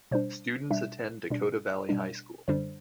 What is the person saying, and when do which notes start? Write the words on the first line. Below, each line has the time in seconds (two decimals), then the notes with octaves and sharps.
Students attend Dakota Valley High School.
0.11 B2 G3 D4 C5
0.71 B2 G3 D4 E5
1.30 B2 G3 D4
1.89 B2 G3 D4
2.48 F#2 D3 G3 D4 C5